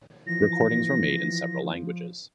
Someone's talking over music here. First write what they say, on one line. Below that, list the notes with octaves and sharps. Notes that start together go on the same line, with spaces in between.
Recordings were made in several languages.
E3 F3 A#6